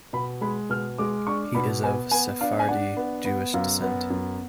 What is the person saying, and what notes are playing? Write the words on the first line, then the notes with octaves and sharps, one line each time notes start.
He is of Sephardi Jewish descent.
B2 B5
G#3 B5
B2 F6
G#3 D6
D4 C#6
B2 B5
B3 G#5
B3 G#5
D4 F5
G#5
D4 F#5
B3
B3
F#2 F5
B3
F#2